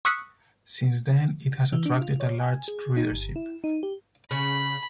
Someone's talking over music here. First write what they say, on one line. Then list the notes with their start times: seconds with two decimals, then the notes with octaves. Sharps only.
Since then, it has attracted a large readership.
0.05 C#6 D#6 E6 F#6 B6 C#7
1.72 E3
1.85 D4
2.01 F4
2.20 C#5
2.40 G#5
2.68 G#4
2.97 D#4
3.12 G1
3.36 E4
3.64 D#4
3.83 G4
4.31 C#3 B5